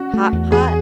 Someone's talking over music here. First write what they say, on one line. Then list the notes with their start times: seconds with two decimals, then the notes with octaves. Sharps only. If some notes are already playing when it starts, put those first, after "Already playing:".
Hot pot?
Already playing: C#4 F#4
0.14 A3
0.32 E2
0.52 E2 G#4